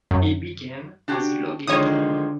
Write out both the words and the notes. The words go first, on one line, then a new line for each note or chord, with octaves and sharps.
It began as a logging town.
F#2
D4 F#4 G4
D3 D#3 F3 G#3 C#5 D#6